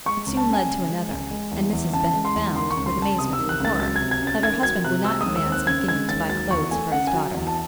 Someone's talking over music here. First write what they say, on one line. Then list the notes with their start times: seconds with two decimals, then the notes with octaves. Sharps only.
It soon led to another; and Mrs. Bennet found, with amazement and horror, that her husband would not advance a guinea to buy clothes for his daughter.
0.06 G#3 C#6
0.26 C#2
0.37 A5
0.48 C#4
0.53 G#5
0.68 C#3
0.89 G#3
1.11 C#2
1.31 G#3
1.51 E2
1.73 E2
1.93 C#3 A5
2.14 G#3
2.25 C6
2.34 E2
2.56 D#3 C6
2.71 C#6
2.77 C#2
2.86 C6
2.98 C#2 A5
3.18 C3 D#6
3.33 E6
3.39 D#3
3.49 F#6
3.60 C#2 A6
3.80 F#3 A6
3.96 C3 G#6
4.11 G#6
4.22 C#4
4.27 A6
4.43 D#3 G#6
4.63 F#3 G#6
4.84 C3 F#6
5.05 G#3 E6
5.21 D#6
5.26 D#2
5.36 E6
5.46 C4
5.52 F#6
5.67 C#3 G#6
5.88 G#3 G#6
6.09 D#2 A6
6.29 F#3 A6
6.51 E2 C#6
6.71 A3 G#5
6.92 C#3 F#5
7.07 G#5
7.12 F#3
7.34 E2
7.47 A5